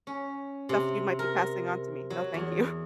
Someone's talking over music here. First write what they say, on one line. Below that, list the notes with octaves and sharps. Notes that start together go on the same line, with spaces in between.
stuff you might be passing on to me. No, thank you."
C#4
C3
A#4
F#3
E2